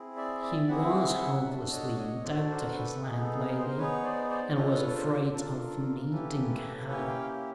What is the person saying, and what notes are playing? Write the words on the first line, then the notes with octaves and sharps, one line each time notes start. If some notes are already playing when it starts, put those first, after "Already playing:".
He was hopelessly in debt to his landlady, and was afraid of meeting her.
Already playing: C4 E4 G#4
D5 E5
D5 E5
C4 E4 G#4 E5 F#5
D4 F#4 A4
C#5 D#5
C#5 D#5
D4 F#4 A4 C5 D5
A#4 C5
A4 B4
B3 D#4 G#4
A4
A#4
A#4 C5
B3 D#4 G#4 B4 C#5
C5 D5
C5 D5
D4 F4 A4 C#5 D#5
B4 C#5
A#4 C5
D4 F4 A4 A#4
A#3 C#4 E4 G4 A4 B4
A#3 C#4 E4 G4 B4 C#5
F5 G5